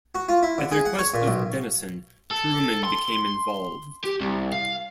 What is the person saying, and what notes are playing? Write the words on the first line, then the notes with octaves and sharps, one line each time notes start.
At the request of Dennison, Truman became involved.
F#4
F4
E4
D3
G#4
F#5
C#5
A#2
B1
A4
C6
G4
C2
F5